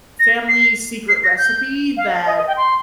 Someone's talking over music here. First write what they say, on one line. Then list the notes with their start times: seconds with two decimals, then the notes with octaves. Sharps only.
family secret recipe that
0.20 A#6
0.49 C7
1.09 C7
1.24 A#6
1.38 G6
1.97 F5
2.27 D#5
2.37 D#5
2.48 G5
2.57 C6